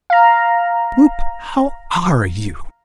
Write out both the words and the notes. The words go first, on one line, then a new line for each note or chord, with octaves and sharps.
Whoop! How are you!
F5 A#5